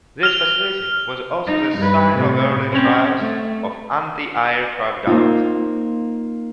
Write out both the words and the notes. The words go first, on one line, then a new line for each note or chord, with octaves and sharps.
This facility was also the site of early trials of anti-aircraft guns.
F6 F7
D#4
G2 B4
A2 C3
C4 C#4
A3
A#3 C4 D#4 F4